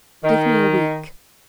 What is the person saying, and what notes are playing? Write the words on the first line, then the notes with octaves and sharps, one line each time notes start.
Give me a week.'
D#3